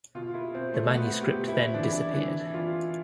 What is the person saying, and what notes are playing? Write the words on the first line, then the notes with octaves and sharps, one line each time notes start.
The manuscript then disappeared.
B2 F4
E4
B2 C4
A3
B2 B3
G4
B2
E4
E3 D4
E4
D4
E3 D4
E3 F4